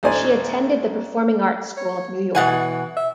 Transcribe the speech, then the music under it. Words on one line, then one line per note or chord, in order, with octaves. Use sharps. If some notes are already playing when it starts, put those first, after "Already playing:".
She attended the Performing Arts School Of New York.
A1 D2 D#4 C5 D5 G#5
C#5
B2 E3 F#5 G#5
E5